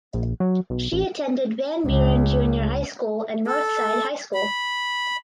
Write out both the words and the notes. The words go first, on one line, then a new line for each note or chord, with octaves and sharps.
She attended Van Buren Junior High School and Northside High School.
A#1
F#3
B1
A1
C#2
A4
B5